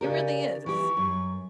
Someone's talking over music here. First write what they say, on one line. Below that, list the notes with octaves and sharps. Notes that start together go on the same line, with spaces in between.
It really is.
C#3 G4 A#4 D5
E3 G4 C#6
F#2